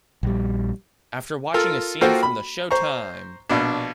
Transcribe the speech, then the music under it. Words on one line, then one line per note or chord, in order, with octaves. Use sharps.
After watching a scene from the Showtime!
A#1 G3
F4 A4 A#4
A#3 F4 F#4 A4 C5 G5
B5
C5 A#5 C#6
A#1 B2 D4